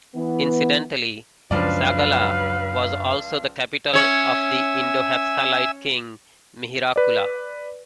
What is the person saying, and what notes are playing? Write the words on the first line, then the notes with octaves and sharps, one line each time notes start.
Incidentally, Sagala was also the capital of the Indo-Hepthalite King Mihirakula.
E3 B3
C#2 F#2 F3 F#3 D4 B4 D5 F5
C#4 C#5 E5 G#5 E6
B4 D5